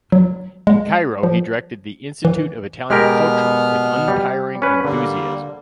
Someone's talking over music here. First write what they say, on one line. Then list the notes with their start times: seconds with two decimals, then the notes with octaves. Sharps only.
In Cairo he directed the Institute of Italian Culture with untiring enthusiasm.
0.12 F#3
0.67 G#3
1.23 F3
2.25 E3
2.90 B2 G#3 B3 G4 A#4 F6
4.08 G3
4.62 C#4 B4
4.85 D3 G3 A#3